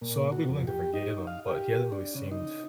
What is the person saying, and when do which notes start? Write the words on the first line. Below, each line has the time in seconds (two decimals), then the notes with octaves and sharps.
So I'll be willing to forgive him, but he hasn't really seemed,
0.02 A#2
0.32 F#4
0.49 F2
0.67 G4
0.94 D#4
1.27 F5
1.48 G4
1.92 D4
2.15 C#3
2.31 D#4